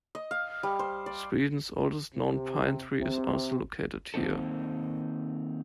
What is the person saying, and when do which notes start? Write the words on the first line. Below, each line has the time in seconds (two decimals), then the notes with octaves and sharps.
Sweden's oldest known pine tree is also located here.
0.15 D#5
0.31 F5
0.63 G3
0.79 C5
1.06 D5
2.14 C3
2.98 C3
4.14 D#3 A#3 C4 D#4 A4